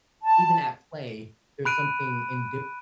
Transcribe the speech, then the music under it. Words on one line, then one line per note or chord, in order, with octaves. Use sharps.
even at play, there's something indifference
A5
B5 F#6 D7 D#7